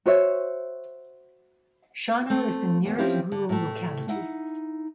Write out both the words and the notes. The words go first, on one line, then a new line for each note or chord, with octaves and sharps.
Shana is the nearest rural locality.
F#4 C5 C#5 E5
A3 C4
D#2 B3
F3 C4 C#4 E4 F4 G4
D3
A2 A3
D#4 E4 F#5